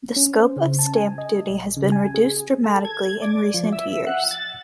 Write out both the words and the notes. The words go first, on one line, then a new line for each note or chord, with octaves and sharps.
The scope of stamp duty has been reduced dramatically in recent years.
C#4
C5
C#3
A5
G#5
D#5
A#1
C#3
G#5
G#4
A4
G#6
D5
F3
E5
F#5
A6